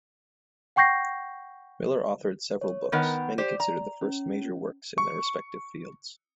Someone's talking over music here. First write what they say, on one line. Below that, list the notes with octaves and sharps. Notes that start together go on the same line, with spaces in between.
Miller authored several books, many considered the first major works in their respective fields.
F#5 G5 C#6 G6 A#6 C7
C#5
D#3 B3 A#4 F#5 G6
G4 C5 D5
A#5
C#4
C#6